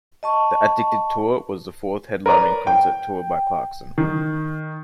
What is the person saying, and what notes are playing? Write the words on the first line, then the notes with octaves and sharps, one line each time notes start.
The Addicted Tour was the fourth headlining concert tour by Clarkson.
D#5 A5 C#6
A#4 B4 C#5 D5 A#5
G5
D#3